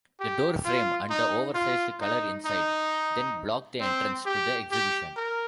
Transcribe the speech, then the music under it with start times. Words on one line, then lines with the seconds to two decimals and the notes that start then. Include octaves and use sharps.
The doorframe and the oversized color inside, then block the entrance to the exhibition.
0.20 G4
0.65 F4
1.10 D#4
1.54 F4
2.01 D#4
2.45 D#4
3.80 C4
4.26 G4
4.71 G4
5.16 A#4